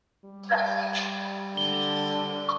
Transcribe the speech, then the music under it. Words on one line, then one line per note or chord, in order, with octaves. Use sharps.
It is located in Manthani mandal.
G3
D3 G7